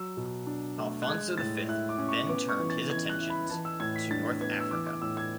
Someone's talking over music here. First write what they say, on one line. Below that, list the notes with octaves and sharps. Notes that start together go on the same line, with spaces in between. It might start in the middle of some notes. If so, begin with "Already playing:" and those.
Afonso the Fifth then turned his attentions to North Africa.
Already playing: F#3 E6
B2
D4
A3
F#6
G#3 G#6
A2 A6
E4 F#6
D6
C#4
C#6
B3 D6
C#6
E3
A6
E3 G#6
F#6
E4
B5
E3 A5
E6
A2 G#6
B6
D4 A6
B3 G#6
E6
E3 D6
D6
A2 E6
G#6